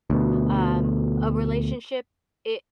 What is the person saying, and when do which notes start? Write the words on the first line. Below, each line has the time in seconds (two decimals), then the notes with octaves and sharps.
um, a relationship, it
0.10 D2 B2